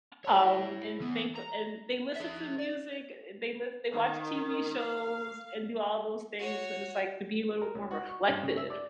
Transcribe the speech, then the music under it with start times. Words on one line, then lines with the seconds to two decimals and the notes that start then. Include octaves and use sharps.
um, and think a and they listen to music, eh, they live they watch TV shows and do all those things, and it's, like, to be a little more reflective
0.25 E4 C#5
1.00 E3 B3
1.35 A#5
2.16 G#4 E5
2.59 D5
3.92 D#3
4.80 F5
6.39 F#4 C#5
7.61 A#4
7.75 C#2
7.91 F#4
8.08 C#6
8.29 G2
8.43 C#3
8.57 E5
8.70 D5